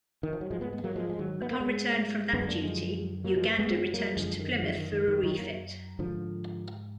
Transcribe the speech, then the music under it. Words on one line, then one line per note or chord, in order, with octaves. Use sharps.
Upon return from that duty "Uganda" returned to Plymouth for a refit.
D#3
F3
F#3
G#2 F3 G#3
G#3 B3
G#3 B3
F#3 A#3
F3 G#3
G#3
D#3 F#3
B3
A#3
G#3 B3
F#2 D3 G#3 B3
A#3 D4
F3 G#3
F#3 A#3
F3 G#3
G#3 B3
G#3 B3
F#3 A#3
F#2 D3 F3 G#3
D#3
D3 F3
D#3
D#3
D#3
D#3 F#3
F#3 A#3
G#2 D3 F3